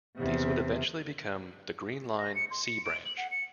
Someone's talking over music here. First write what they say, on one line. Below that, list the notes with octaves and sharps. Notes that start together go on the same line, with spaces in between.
These would eventually become the Green Line "C" Branch.
E2 C3
A#6
C#7
C6
C#7
D7
F#7
F#5
C#7